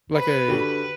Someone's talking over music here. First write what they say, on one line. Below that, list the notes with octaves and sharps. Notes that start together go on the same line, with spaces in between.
Like a
B4 B5
D3 F#4 G4